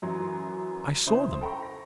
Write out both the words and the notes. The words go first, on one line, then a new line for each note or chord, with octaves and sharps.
"I saw them."
F#2 E3 F#3 C6
C#3 E4 C5
A4 G5 A#5 B5 C#6
A#6